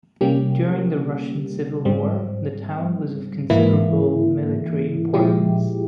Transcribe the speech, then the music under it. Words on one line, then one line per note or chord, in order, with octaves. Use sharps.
During the Russian Civil War, the town was of considerable military importance.
C3 G3 A#3 C#4 G4
G#2 G3 C4
G#2 E3 A#3 E4
A#2 F3 G#3 E4 G4